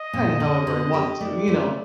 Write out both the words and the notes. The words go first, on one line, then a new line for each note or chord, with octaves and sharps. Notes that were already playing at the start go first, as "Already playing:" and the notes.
kinda however I want to, you know,
Already playing: D#5
A#2
D3
D3
G4
A3 D5
A3